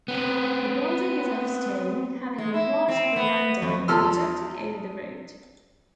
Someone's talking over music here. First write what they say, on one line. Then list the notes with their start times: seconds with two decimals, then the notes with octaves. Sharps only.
The building is of stone, having a large verandah projecting over the road.
0.08 B3 C4
2.38 G#3
2.54 E4
2.88 C4
3.16 B3
3.62 F2
3.88 E2 F3 A4 C6 E6 F6